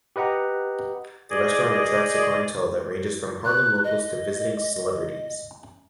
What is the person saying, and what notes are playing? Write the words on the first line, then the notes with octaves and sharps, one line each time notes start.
The restaurant attracts a clientele that ranges from Harlem locals to visiting celebrities.
G4 B4 D#5 F#5 A#5
G#4 D5 D#5
F#6
D#5